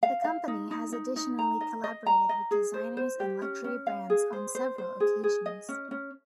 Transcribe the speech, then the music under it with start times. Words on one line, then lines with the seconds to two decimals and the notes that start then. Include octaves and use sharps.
The company has additionally collaborated with designers and luxury brands on several occasions.
0.03 F5
0.24 F5
0.48 D#4
0.71 D#4
0.92 D#4
1.16 D#4
1.39 A#5
1.61 D#5
1.84 D#5
2.06 A#5
2.29 D#5
2.51 G#4
2.74 C5
2.97 C5
3.20 G4
3.42 C#4
3.64 C#4
3.87 F5
4.10 G#4
4.33 C5
4.55 C5
4.78 C5
5.00 G#4
5.24 G#4
5.46 D#5
5.69 C#4
5.91 C#4